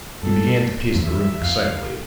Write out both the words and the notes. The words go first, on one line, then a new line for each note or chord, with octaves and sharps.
He began to pace the room excitedly.
G2 A4
F2
E2 E5
F2 F5